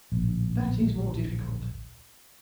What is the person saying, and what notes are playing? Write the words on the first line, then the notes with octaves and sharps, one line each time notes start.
"That is more difficult."
D1 A#1